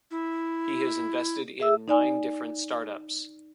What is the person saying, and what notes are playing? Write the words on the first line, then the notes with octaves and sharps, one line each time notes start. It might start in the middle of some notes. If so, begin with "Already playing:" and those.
He has invested in nine different startups.
E4
G#4 E5 E6
D#4 D5 G#5